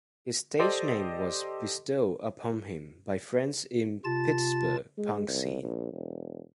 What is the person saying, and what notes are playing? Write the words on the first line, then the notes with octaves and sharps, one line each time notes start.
His stage name was bestowed upon him by friends in Pittsburgh's punk scene.
G4 A4 C5 D5 D#5 C6
C3 F4 A5 A6
G#3
C2
A#1
E1